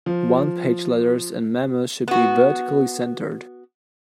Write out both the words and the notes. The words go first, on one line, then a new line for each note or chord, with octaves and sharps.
One-page letters and memos should be vertically centered.
F3
B3 F#4